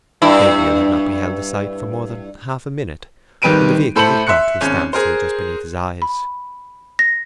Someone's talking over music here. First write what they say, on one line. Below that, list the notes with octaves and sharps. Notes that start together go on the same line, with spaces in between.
Gabriel had not beheld the sight for more than half a minute, when the vehicle was brought to a standstill just beneath his eyes.
G2 E4
G#1 D#3 G3 B4 D7 D#7
A2 A4 C5 B5 C#7 F#7
E5 C6 F#6 C#7
G#1 C#4
G#4 A#4 C5
B5
A#6